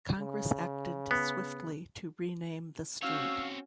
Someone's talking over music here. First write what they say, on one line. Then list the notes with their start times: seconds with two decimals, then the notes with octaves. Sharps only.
Congress acted swiftly to rename the street.
0.18 C#3
1.11 B3
3.02 C4 C#4 F#4 C#5 F5 E6